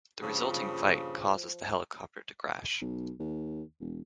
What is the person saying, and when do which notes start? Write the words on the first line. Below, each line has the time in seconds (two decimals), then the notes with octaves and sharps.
The resulting fight causes the helicopter to crash.
0.22 G2 A#2 C#3 F3
2.81 B1
3.19 D#2
3.80 E1